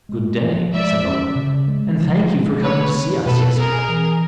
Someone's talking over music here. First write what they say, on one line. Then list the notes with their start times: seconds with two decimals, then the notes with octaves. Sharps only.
'Good day!' said the lad, 'and thank you for coming to see us yesterday.'
0.09 G#3
0.42 F3
0.73 G#3 D5 E5
1.04 C#4
1.35 C#3
1.68 G#3
1.99 F3
2.31 G#3
2.62 A3 B4 C#5
2.93 C4
3.25 B2 A4 B4
3.57 C4 G#4 A#4
3.89 E3